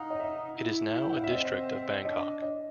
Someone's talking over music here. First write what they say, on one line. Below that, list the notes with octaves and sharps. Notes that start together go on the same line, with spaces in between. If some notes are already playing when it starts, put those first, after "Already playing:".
It is now a district of Bangkok.
Already playing: D#4 F5 F#5
D#5
E5
E4
G5
F#5
F5
E5
C4 D#5
D4 D#5
D#5